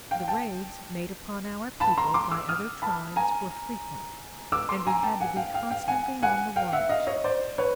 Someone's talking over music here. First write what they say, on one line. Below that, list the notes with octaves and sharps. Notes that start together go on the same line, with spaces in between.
The raids made upon our people by other tribes were frequent, and we had to be constantly on the watch.
F5 G5
G5 A5
A5 B5
A#5 C6
C6 D6
D6 E6
D#6 F6
A5 B5
G#5 A#5
D6 E6
C6 D6
G#5 A#5
G5 A5
F#5 G#5
F5 G5
F5 G5
F5 G5
F#5 G#5
F#5 G#5
F5 G5
E5 F#5
D#5 F5
C#5 D#5
C5 D5
B4 C#5